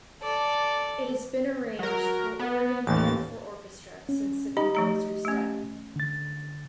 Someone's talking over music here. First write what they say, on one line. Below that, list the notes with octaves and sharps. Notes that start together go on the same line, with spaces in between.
It has been arranged for organ and for orchestra since the composer's death.
A4 D5
F#3 A#4
B3
A1 D#2 A6
C#4
D#4 G4 D#5 B5
F3 A3 A#5
A3 C#4
D3 A6